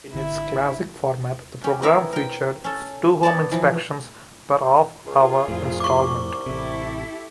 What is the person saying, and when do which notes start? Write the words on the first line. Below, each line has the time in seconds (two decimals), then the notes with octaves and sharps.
In its classic format, the program featured two home inspections per half-hour installment.
0.14 G#1 D3 E4 E5
1.64 C#4 G4
1.82 B3 C4 E4 A#4 C#5 E5
2.13 A#4 G5
2.64 C#4 A4
3.23 B3 C#5 D5 A5
3.51 E3 F3
5.07 C#2 F4 G#4
5.48 C2 F2 A2
5.80 C#6 D6
6.46 A1 C3 E4 G4 A4